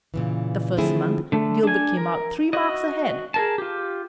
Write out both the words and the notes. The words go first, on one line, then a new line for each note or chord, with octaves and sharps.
The first month Gilbert came out three marks ahead.
A#2 C#3 E3
D3 F3 A3 C4 E4 G#4
D3 A3
D4 G#5
A#4
F#4 D#5
G#4 A#4 A5
F4 G4